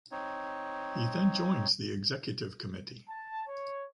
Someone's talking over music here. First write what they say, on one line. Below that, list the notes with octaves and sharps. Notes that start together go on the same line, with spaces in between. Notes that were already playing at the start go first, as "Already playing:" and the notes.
He then joins the executive committee.
C4 D#4 C#5
A5
C#5